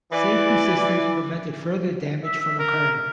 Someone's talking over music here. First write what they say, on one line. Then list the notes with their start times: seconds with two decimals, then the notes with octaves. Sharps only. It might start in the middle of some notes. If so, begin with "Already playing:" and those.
Safety systems prevented further damage from occurring.
0.12 E3 D5
2.24 E5
2.40 E5
2.59 A#4